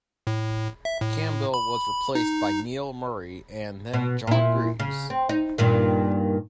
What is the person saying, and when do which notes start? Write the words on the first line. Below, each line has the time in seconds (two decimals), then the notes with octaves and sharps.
Campbell was replaced by Neil Murray and then John Greaves.
0.27 A2
0.85 E5
1.01 A2
1.54 B5
2.15 D#4
3.94 B2
4.27 A#2 E4
4.80 C#3
5.10 C4
5.29 D#4
5.58 G2 A#2 D#3